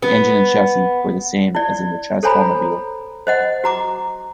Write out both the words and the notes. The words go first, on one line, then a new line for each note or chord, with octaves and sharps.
The engine and chassis were the same as in the Trasformabile.
B3
E4 D5
A4 C5 C#5 G#5 A#5 B5
C5 D#5 F#5
F#4 A#5 D6